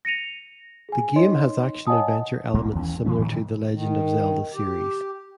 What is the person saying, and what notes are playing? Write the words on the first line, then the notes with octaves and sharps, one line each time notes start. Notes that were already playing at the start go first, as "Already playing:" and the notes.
The game has action adventure elements similar to The Legend of Zelda series.
A#6 C#7 D#7 F7
G#4 G#5
D#4 C#5 D#5 C6
C#5 D#5 F#5 G#5 A5 D#6
A#1 G#2 B2 G#3
D#2 E3 A3 C#4
C3 E3 G#3 C#4
A2 D#3 A3
D#3
G4